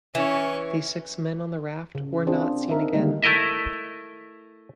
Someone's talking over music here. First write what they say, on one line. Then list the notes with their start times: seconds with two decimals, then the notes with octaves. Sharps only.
The six men on the raft were not seen again.
0.15 E3 C#4 C#6
1.95 C#3
2.27 C4 D4 F4 G#4 C5
2.69 D#4 A#4 E5
2.93 D3 D#3 G3 G#3 A#3
3.23 A3 E4 A#4 D#5 E5